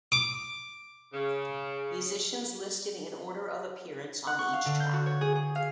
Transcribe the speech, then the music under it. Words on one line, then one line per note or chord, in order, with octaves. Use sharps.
"Musicians listed in order of appearance on each track".
D6
C#3
F#5
C#6
F5
D3
G6
F#4
C#5
G#4
G#4
F5